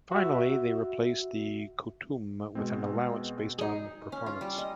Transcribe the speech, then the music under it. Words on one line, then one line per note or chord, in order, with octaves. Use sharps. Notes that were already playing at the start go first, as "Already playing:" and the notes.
Finally, they replaced the "coutume" with an allowance based on performance.
F#4 E5
B2 G#3 C4
D#4 G#4
C#4
F4
G3
D#5